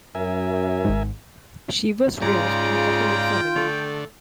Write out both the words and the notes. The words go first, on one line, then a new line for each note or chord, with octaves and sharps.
She was raised in a Catholic family.
F#2 A#4 E5 G#5
G#1 G#2
G#2 C#3 F4 D5 G5 A#5
D3 A3